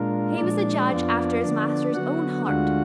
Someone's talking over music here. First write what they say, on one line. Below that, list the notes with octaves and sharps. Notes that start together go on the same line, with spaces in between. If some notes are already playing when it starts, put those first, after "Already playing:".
He was a judge after his master's own heart.
Already playing: A#2 G#3 D4 F4 A#4
A#2 F3 G#3 D4 D5
F2 F3 B3 F4
D3 F3 B3 D4 D5
D3 F#3 B3 F#4 F#5
D2 D3 G#3 D4 F4 F#4 F#5